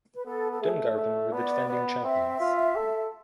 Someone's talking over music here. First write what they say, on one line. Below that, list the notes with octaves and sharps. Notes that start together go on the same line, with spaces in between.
Dungarvan were the defending champions.
B4
B3 A4
A4
A3 G#4
A3
B3 D5
B3
C4 E5
F4
A4